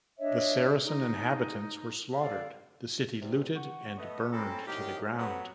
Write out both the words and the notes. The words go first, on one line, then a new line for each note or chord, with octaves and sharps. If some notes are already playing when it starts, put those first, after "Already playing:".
The Saracen inhabitants were slaughtered, the city looted and burned to the ground.
D4 C#5 D#5 E5
D#4
A4 D5 F5
E2 C3
F#5 C#6
A3 B3 D#5
C4 C#4 A4 G5 A#5 B5
C2 F#2 D#3 G4
C3 F#3 B3 A4 B4 F#5